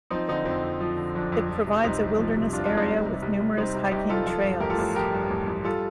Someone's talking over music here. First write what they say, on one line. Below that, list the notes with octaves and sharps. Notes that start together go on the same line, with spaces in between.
It provides a wilderness area with numerous hiking trails.
F3 C4 D#4
D3 C4 D#4
F2 C4
F2
F3
D3
F2 D4
F2
F3
C3
C2 C4 D#4
C2
F3
C3
C2 D4 F4
D4 F4
C2
C4 D#4
G3
C3
C2
C2
G3 C4 D#4
C3
C2 D#4 G4
C2 F4 A4
F3 F4 A4
G2
A1 G4 A#4
F4 A4
A1
F3 G4 A#4
G2
A1
A1
G3 F4 A4